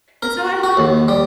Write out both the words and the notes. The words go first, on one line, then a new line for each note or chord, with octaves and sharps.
and so I wonder
A#4
F#4
D#2
G3